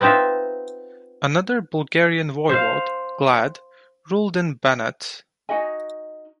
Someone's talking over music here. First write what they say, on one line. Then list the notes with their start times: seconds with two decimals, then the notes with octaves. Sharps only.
Another Bulgarian voivod, Glad, ruled in Banat.
0.01 B3 C4 D#4 F4 E5
2.49 C5 F5
5.49 D#4 F#4 D#5 G#5